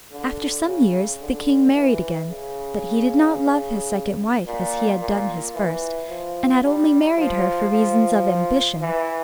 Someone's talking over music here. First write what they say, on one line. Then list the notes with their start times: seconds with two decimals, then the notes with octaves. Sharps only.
After some years the king married again, but he did not love his second wife as he had done his first, and had only married her for reasons of ambition.
0.12 D3
0.66 C#3
1.21 D3
1.75 E3
2.29 C#3
4.46 A#2
5.01 A#2
5.55 E3
6.09 F3
6.64 G3
7.18 F3
7.72 F3
8.81 E3